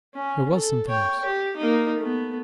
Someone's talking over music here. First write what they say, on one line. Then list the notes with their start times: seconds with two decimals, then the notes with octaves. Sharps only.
There was something else.
0.14 C#4
0.53 A4
0.89 C#5 G5
1.25 G4
1.57 A#3 D#4
1.98 A3 B3